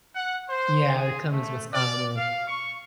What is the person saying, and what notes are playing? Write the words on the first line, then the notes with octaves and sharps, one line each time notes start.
Yeah, it comes with some or
F#5
C5
G#4
A3
D5
F5
C#6